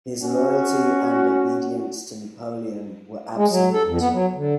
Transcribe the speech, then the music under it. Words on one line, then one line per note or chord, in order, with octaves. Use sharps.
His loyalty and obedience to Napoleon were absolute.
C#4 F#4
G#3
F#3
A4
F2
B3
F#3
D3